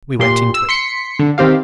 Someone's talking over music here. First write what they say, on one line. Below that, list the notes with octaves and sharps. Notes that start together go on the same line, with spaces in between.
We went into it.
A#2 G4 C6
E6
C6 B6 C#7
D3
D#3 C4 G4 F5